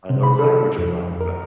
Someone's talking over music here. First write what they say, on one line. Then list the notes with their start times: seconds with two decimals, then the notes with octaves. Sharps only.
I know exactly what you're talking about.
0.10 C3
0.23 B5
0.39 A4
0.79 F2
1.21 A#4